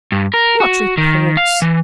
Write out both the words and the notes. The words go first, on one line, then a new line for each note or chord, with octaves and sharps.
"What reports?"
G2
A#4
F#4
D#3
F5
E3